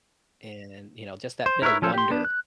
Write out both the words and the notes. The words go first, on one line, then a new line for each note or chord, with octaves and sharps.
and, you know, just that bit of wonder
C5
E4 A#4 B4 C#5 E5
F3 C#4 A4 C5
G4 C6
B3 D4
F#6